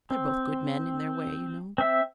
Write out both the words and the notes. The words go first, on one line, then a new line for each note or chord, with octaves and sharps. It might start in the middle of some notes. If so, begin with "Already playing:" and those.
"They're both good, men in their way, you know."
C4
C4 E5